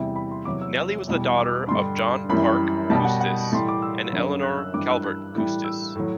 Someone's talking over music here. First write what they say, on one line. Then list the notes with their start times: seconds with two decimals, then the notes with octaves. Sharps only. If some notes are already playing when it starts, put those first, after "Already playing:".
Nelly was the daughter of John Parke Custis and Eleanor Calvert Custis.
Already playing: E2 C3 E3 G3
0.16 B5
0.31 C6
0.45 E2 C3 F#3 D6
0.62 E6
1.07 E2 B2 G3
1.38 D6
1.67 G2 D3 G3 C6
2.29 F#2 E3 G3 B5
2.90 B2 G3 A5
3.05 F#5
3.21 F#5
3.51 A2 E3 G3 C6
3.68 D6
3.82 E6
4.13 F#2 D3 F#3
4.42 F#6
4.58 E6
4.74 G2 E3 G3 D6
4.88 E6
5.03 F#6
5.34 A2 E3 G3
5.65 E6
5.96 A2 F#3